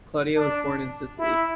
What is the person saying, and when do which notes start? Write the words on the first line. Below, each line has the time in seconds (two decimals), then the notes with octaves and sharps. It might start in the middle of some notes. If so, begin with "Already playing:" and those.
Claudia was born in Sicily.
0.35 D4
1.19 E4